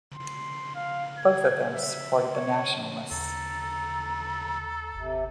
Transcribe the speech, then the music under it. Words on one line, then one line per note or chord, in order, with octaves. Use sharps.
Both of them supported the Nationalists.
C6
F5
G#6
E5
C#5
D#2 A4 A#5
F#1 C3